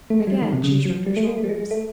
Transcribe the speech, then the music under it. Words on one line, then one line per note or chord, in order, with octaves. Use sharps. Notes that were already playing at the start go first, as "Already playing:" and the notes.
Again she shrugged her shoulders.
A3
G#3
F#3
G3
D#3
C3
C#3
F#3
G3
A3
A#3
A3
G3
G#3
G#3
A3